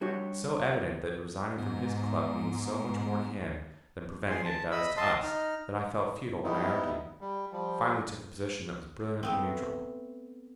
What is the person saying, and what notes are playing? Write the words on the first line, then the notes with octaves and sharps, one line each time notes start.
It's so evident that resigning from his club means so much more to him than preventing it does to us that I felt futile when I argued; finally took a position that was brilliantly neutral.
G3 D4 F#4 G4 C#5
G#2 B3
G#4 C6
A5
D#5 B5 E6
D#5 A5 C6
D#4 F6
G3 B3 D#4 E4
G3
F3 G3
A3 B3 C4